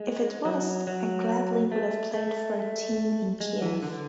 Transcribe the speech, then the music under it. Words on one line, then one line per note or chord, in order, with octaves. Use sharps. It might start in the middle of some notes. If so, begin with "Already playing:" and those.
If it was, I gladly would have played for a team in Kiev.
Already playing: G#3
F#3
F#3
A3
A3
G#3
E3
D3